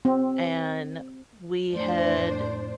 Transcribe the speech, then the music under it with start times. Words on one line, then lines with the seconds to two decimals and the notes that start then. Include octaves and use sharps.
And we had
0.05 C4
1.71 F2 A2 D4 C5